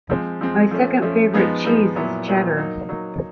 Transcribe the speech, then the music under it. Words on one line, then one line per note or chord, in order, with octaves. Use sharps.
My second favourite cheese is cheddar.
F3 G#3 C4
F3 G#3 C4
F3 A3 C#4
F3 A3 C#4
F3 G#3 B3 D#4
F3 G#3 B3 D#4
A#2 F#3 B3 E4
A#2 F#3 B3 E4
F#3 A#3 D#4
F#3 A#3 D#4